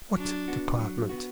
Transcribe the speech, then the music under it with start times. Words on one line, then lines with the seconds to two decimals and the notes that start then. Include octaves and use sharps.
"What department?"
0.17 F#3 D4
0.48 B3 F#4
0.79 F#3
1.09 B3 F#4